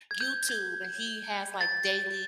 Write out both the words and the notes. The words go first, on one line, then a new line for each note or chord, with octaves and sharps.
YouTube and he has, like, m
G#6
G6
G#6
A6